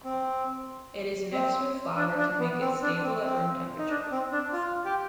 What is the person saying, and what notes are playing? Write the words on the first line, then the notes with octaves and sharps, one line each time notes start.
It is mixed with flour to make it stable at room temperature.
C4
C4
D4
D4
B3
C4
D4
C4
C4
D#4
D4
C4
D4
F4
G4